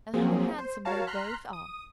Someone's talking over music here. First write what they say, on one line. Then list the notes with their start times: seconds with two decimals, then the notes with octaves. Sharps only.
"And how handsome they both are!"
0.14 F3 F#3 A#3 C4 G#4
0.58 C5
0.85 F#4 A#4 C#5 F5 A5 A#5
1.07 A#5 C6 F6 F#6 B6
1.53 D#6